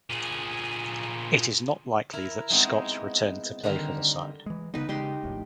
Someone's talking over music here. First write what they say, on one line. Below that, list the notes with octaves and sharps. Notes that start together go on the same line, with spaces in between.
It is not likely that Scott returned to play for the side.
A#2 G#4
E4 A#4
G#3 B3 C4 D#4 E4 G#4
D3 D#3 G3 C4 G4 A#4
E3 G#3
C#3 B3 D#4 B4
C#3 G#3 D#4 G4 C6
D#1 A#1 A2